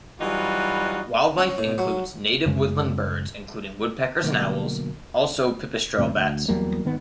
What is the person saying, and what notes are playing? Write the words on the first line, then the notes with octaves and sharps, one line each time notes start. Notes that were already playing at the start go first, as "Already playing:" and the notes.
Wildlife includes native woodland birds including woodpeckers and owls, also pipistrelle bats.
E3 F#3 G3 D#4 F4 F#4
C#4
A2
F#3
F#2 C#3 G#3
B2 D3 F#3 A3 A#3
D#2 A2 C3
D2
E2 F#3 G3 A#3
G#1 D#3 B3